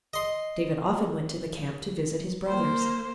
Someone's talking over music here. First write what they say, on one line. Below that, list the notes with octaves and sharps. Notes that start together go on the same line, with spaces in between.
David often went to the camp to visit his brothers.
D#5 C6
A#3 C5